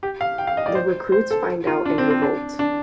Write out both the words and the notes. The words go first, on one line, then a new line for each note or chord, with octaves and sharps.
The recruits find out and revolt.
G4
F5
G5
F5
D#5
D5
C5
C5
A4
F4
D4
C4
C4
D4
D4